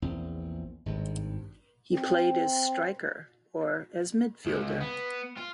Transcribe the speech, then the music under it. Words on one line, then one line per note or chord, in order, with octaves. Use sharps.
He played as striker or as midfielder.
A#1 E2 C4
G#1 G2
C4
C#2
B3
F4